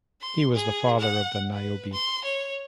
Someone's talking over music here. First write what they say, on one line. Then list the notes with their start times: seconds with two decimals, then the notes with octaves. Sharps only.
He was the father of the Niobe.
0.21 C6
0.54 G#4
0.99 F#5
1.53 B4
1.92 C6
2.24 C#5